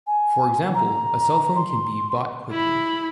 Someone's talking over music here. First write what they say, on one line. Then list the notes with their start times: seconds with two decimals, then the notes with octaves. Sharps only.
For example, a cell phone can be bought quickly.
0.07 G#5
0.74 A#5
1.56 C6
2.51 E4 B5